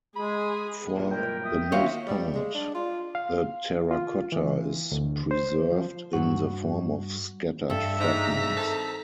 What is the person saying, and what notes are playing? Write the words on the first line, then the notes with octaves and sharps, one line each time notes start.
For the most part, the terracotta is preserved in the form of scattered fragments.
G#3 G#4 B5
B1 G2 A#2
G#3 E4 A#4 G5
E5 D#6
D#3 A#3 F4 F#4 C#5 D#5 E5
G3
G#3
D4
F4
F5
F4
E3
D2
C5
F3
G2 F#4
G2 A4 E5
G#2 A#5 B6
D#3 C4 A4